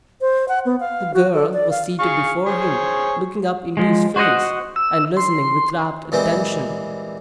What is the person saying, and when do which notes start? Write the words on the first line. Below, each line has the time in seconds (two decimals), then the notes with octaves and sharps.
The girl was seated before him, looking up into his face, and listening with rapt attention.
0.21 C5
0.49 F#5
0.66 B3
0.80 F5
1.14 F#4
1.34 A4
1.53 D5
1.71 F5
1.99 G#4 F5 C#6
2.46 G#4 C5 C#5
3.77 F3 G#3
4.16 F#4 C5 C#5 D#5 F#5
4.76 E6
5.17 C6
6.12 A#2 E3 G3 G#3 C4